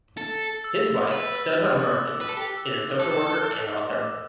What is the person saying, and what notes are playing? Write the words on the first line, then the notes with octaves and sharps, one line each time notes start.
His wife, Sudha Murthy, is a social worker and author.
A4 A6
E6
B4
E6
F#6
D6
B4
A4
G4
E6
A4 F#6
D6